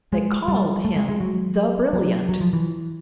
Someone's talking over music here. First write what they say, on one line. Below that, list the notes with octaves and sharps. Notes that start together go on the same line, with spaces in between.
They called him THE BRILLIANT.
G#3
G3
A3
G#3
G#3
F#3
F#3
F#3
F3
E3